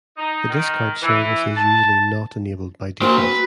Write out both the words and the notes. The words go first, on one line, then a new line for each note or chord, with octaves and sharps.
The discard service is usually not enabled by default.
D#4
D#3
E3
A5
A#3 F#4 C5
B4